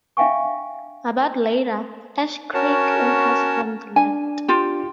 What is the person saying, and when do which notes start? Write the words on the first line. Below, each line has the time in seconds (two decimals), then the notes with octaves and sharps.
About later, Ash Creek enters from the left.
0.17 D4 E5 F5 G5 G#5 C#6
2.54 C#4 F#4 A#4 C#5 A5
3.96 D4 G#5
4.48 F4 G4